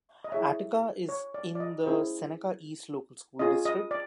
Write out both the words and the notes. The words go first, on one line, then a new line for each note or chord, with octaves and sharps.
Attica is in the Seneca East Local School District.
D#5
E4 G#4 C#5 E5
C#5
D5
D5
D#5
C#4 E4 G#4 C5
C#4 F4 G#4 D#5
D#5
D5